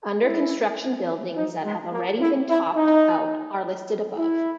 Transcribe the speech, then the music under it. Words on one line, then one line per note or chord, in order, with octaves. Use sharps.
Under construction buildings that have already been topped out are listed above.
E4
D#4
G#3
A#3
E4
E4
D#4
E4